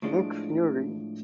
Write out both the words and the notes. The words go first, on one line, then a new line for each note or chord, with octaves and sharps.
Nick Fury.
A2 F3 G#3 D4 F4